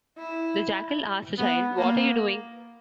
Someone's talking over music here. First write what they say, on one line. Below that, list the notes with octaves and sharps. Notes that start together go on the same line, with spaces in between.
The jackal asked the child: What are you doing?
E4
B3
A#3